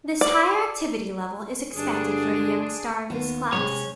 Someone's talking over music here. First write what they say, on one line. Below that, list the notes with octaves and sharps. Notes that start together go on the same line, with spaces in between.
This higher activity level is expected for a young star of this class.
D5
G2 D3 D4 G#4
D#2 B3
C3 G#3 C#4 C#5